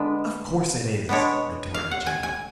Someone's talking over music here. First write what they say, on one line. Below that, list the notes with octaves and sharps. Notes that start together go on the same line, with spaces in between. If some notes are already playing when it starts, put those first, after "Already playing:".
"Of course it is," retorted Jenny.
Already playing: D3 G#3 B3 D4 B4
B2 G#3 B3 D4 C#5
F5
F#5
G#5
G#5